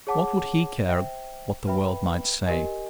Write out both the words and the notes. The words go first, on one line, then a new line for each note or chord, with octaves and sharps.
What would he care what the world might say?
G#4 C#5 F#5 A5 D6
C5 E5 G5
B4 E5 G5 B5
G4 A#4 D#5 G#5